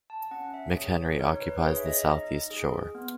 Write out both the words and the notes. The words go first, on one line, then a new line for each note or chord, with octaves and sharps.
McHenry occupies the southeast shore.
A5
C#4 F#5
E5
G#4 C#5
C#5
D#4 C#5
B4
G#4 C#5
E5
D#5
D#4 D#5
G#4
B3